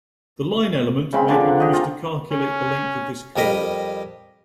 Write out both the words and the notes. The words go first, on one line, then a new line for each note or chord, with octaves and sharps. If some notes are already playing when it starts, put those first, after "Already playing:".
The line element may be used to calculate the length of this curve.
C#3 G#3 C4 B5
D3 F3 D4 D6
A#5
G4 D#5
F4 G#5 A#5
C#4
F2 G3 A#4 D#5 B5